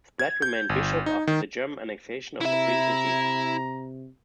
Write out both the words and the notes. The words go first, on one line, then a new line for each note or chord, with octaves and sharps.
Splett remained bishop after the German annexation of the Free City.
G#6
G6
G1
D#4
D#3
C3 E4 E5 A#5